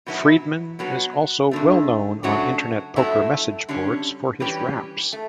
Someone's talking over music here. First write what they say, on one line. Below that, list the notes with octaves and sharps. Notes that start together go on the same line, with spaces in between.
Friedman is also well known on internet poker message boards for his raps.
B2 F#3 B3 E4
B2 F#3 B3
G2 D3 A3
C#3 F#3 A3 D4 F#4
G2 F#3 A3 E4
D3 G3 C#4
E3 G3 C#4 G4 B4
A3